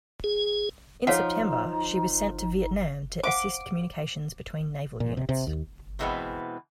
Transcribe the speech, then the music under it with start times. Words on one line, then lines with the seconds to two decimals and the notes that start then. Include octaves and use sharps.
In September, she was sent to Vietnam to assist communications between naval units.
0.24 G#4
1.07 F3 D#4 C#5 F5 F#5
3.24 C5 F5 F#5 D6
5.00 A#2
5.17 C3
5.29 C3
5.47 D#2
5.99 E2 B2 E3 G#3 B3 C4